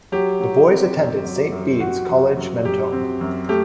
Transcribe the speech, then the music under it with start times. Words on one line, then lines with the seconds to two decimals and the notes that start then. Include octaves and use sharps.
The boys attended Saint Bede's College Mentone.
0.12 F#3 G4
0.40 F#3
0.69 C4
0.96 F#2
1.24 F#3
1.52 F#2
1.80 F#2 F#4
2.09 F#2
2.36 F#2
2.65 F#2 G4
2.92 C4
3.21 F#2
3.49 A3 G4